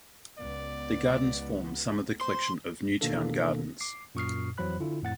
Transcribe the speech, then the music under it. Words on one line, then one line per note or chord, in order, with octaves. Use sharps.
The gardens form some of the collection of New Town Gardens.
C#2 B3 D5
C5 C6
B2 D#3 A#3 B3 D4 A4
D6 C7
F#2 A#2 C#6 D#6 F6 C7
F2 E3 F#3 C5 B5 F#6
D3 E4 F4
F2 A2 F#5 A6